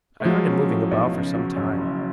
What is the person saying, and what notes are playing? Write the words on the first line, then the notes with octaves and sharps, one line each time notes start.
I heard him moving about for some time.
A3
F3 F#3 G#3
C#4
A2
B1
C#3
F#3
F#2
F#1